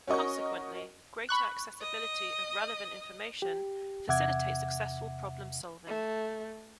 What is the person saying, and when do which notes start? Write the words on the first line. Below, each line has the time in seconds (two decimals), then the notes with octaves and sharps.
Consequently, greater accessibility of relevant information facilitates successful problem solving.
0.07 C#4 F#4 A#4 D#5 C#6
1.29 B5 C#6 F#6
1.80 D#5
3.42 G4
4.08 E2 C3 E5 F#5 D6 G#6
5.87 A3